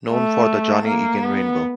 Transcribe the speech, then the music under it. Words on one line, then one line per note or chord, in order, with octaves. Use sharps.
Known for the Johnny Egan Rainbow.
A3
A#3
B3